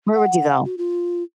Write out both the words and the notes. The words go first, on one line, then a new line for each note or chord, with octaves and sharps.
Where would you go?
F#5
F#4
F4